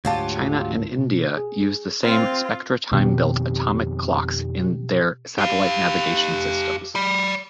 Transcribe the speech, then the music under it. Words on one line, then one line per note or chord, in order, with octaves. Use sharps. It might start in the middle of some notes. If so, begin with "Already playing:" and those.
China and India use the same SpectraTime-built atomic clocks in their satellite navigation systems.
D2 G#2 F#3 F4 G4 A5
B2
G#4
C4 F4
F2 B2 D#3 C4 G4
G4 F5
D5 B5